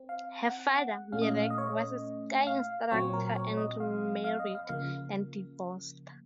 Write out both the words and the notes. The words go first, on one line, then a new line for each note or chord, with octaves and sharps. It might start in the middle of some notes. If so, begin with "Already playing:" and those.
Her father, Mirek, was a ski instructor and remarried and divorced.
Already playing: C4
F5
F#5
A#2 A3 C#4 F5
D#5
F5
F5
D#5
C#5
D#5
F5
A#2 F#3 C4 C#5
A#4
C#5
D#5
F5
F5
D#5
F5
C#3 F3 A#3 F5